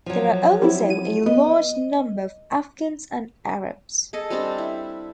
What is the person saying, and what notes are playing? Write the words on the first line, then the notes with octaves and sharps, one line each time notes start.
There are also a large number of Afghans and Arabs.
F3 F#3
G3 C4 E4
D#7
B3 D#5
G#4 A4 D#5
G3 C4 D4 G4
E4